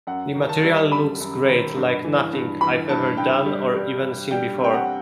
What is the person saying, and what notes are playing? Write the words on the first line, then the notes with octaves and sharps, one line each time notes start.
The material looks great, like nothing I've ever done or even seen before.
F#2 F#5
D#3
A5
G3
F#2 B5
F#2
D#3
G2
E3
G2
E3 B5
G2 A5
G2 G5
G3
G3
G3
G3 G5
C3
G5
F#5